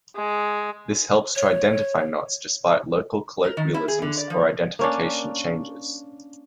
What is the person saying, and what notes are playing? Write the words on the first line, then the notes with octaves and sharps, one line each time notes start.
This helps to identify knots despite local colloquialisms or identification changes.
G#3
C#5
A#4
D#3
E4
G#4
D3
D5
F3
A#3 C#4 D4